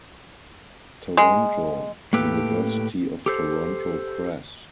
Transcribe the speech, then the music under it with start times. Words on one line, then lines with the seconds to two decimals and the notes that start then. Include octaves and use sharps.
Toronto : University of Toronto Press.
1.17 G#3
2.13 A2 A#3 G4 A4 B4
3.26 G4 A4 C5